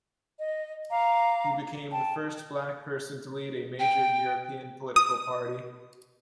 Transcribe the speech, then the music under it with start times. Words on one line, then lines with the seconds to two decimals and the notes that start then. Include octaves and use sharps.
He became the first black person to lead a major European political party.
0.39 D#5
0.90 F5 A#5 D6
1.92 G5 A5
3.80 G5
4.96 D#6